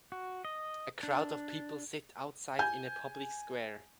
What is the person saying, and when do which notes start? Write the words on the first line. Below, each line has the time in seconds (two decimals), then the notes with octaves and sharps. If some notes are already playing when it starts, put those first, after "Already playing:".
A crowd of people sit outside in a public square.
0.12 F#4
0.45 D#5
1.03 D4
2.59 G#5 G6